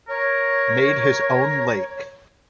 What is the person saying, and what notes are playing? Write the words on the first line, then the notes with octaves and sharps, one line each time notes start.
Made his own lake.
A#4 C#5